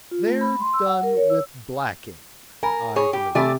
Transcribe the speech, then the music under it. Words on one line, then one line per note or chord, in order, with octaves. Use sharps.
'They're done with blacking, I believe.'
F4
A3
B5
C6
E6
F#5
A#4
C#5
E6
A#4 G#5
G#4 C#5
G4
C3 A3 D5 G#5